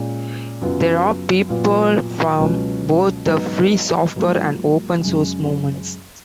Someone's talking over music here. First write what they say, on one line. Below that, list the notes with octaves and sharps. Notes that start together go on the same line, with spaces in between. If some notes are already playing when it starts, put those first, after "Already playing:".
There are people from both the Free Software and Open Source movements.
Already playing: A#2 G#3 C#4
F#2 C#3 F#3 B3 F4
A#2 F#3 B3 F4
C#2 B2 F#3 C#4 F4
G#2 F#3 B3 D#4
G#2 F#3 A#3 F4
F#2 C#3 G#3